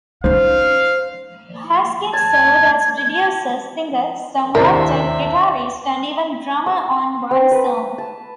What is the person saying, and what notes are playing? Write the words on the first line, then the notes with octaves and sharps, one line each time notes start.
Haskins served as producer, singer, songwriter, guitarist and even drummer on one song.
C#4 D#4 C5 F5
A5 G#6
D#2 A2 C3 D4 A#4 C5 E5
E6
C4
B4
A5